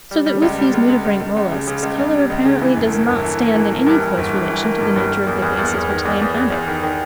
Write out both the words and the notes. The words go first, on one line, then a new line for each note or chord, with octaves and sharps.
So that with these nudibranch molluscs, colour apparently does not stand in any close relation to the nature of the places which they inhabit.
G3
G3
C#2
G3
C#2
C#2
C#2
C#2
C#2
C#3
C#3
C#2
C#2
G3
C#2
C#3
E3
G1
A#3
G1
E3
A#3
E3
A#3
G2
E3
G1
G2
E3
A#3
G2
G2
A#3
E2
E2
E2
E2
D#3
E2
E2
E2
E2
D#3
D#3